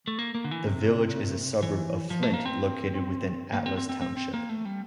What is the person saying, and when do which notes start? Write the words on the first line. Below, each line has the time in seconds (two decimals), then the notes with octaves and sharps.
The village is a suburb of Flint located within Atlas Township.
0.08 A3
0.19 A#3
0.35 A#3
0.44 D3
0.51 E3
0.66 C3
1.63 E3
2.10 F3
2.23 A3
2.34 A#3
2.45 C4
3.54 A#3
3.66 C4
3.77 C4
3.89 C4
4.02 C4
4.17 C4
4.34 A#3
4.49 A3
4.65 G3